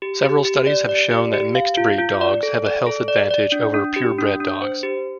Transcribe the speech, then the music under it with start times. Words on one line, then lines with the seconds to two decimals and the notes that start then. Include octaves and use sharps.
Several studies have shown that mixed-breed dogs have a health advantage over pure-bred dogs.
0.02 G4
0.24 G4
0.45 G4
0.67 D5
0.89 D5
1.11 G4
1.33 G4
1.55 F5
1.77 F4
1.98 F4
2.21 D5
2.43 A4
2.65 D5
2.86 A4
3.08 D5
3.31 D5
3.52 D4
3.74 D4
3.96 G4
4.19 D4
4.40 D4
4.62 C5
4.83 G4